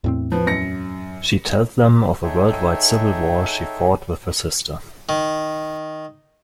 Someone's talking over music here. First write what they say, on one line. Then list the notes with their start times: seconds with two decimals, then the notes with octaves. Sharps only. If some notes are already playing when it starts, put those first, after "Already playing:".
She tells them of a worldwide civil war she fought with her sister.
0.04 E2 A2 C4
0.32 F3 B4
0.47 F#2 A#6 C#7
2.23 D#4 G#4 A4 C#5 E5 G5
5.09 D#3